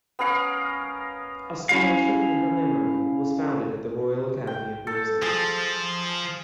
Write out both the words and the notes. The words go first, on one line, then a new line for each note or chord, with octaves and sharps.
A scholarship in her memory was founded at the Royal Academy of Music.
B3 C#4 A#4 F5
C#4 E4 F5
G5
A4
F3 G#4 A5